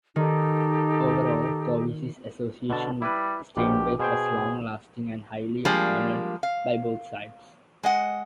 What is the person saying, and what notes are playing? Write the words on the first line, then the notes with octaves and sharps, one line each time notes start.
Overall, Covici's association with Steinbeck was long-lasting and highly honored by both sides.
D#3 D#4 G4 A4
B2 D3 A5
G3 E4 B4
A#1 B2 F3 G4
B2 G#4 C5 G5
F3 G3 G#3 A#3 D4
F5
G#3 D#5 F#5